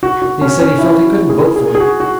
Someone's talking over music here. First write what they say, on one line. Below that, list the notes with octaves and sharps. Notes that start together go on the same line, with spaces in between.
And he said he felt he couldn't vote for it.
F#4
F#4
C#4
C#4
E4
F#4
G#4
G#4
G#4
F#4
F#4